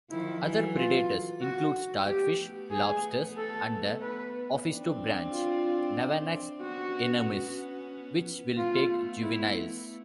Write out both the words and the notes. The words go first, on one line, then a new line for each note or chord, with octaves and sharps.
Other predators include starfish, lobsters, and the ophistobranch "Navanax inermis" which will take juveniles.
D#3 F3 E4
E3 F#3
F4
F#4
A3 B3 G4
G#4
A4
B4
C4 D4
F4
B3 C#4 F#4
A3 B3 F4
E4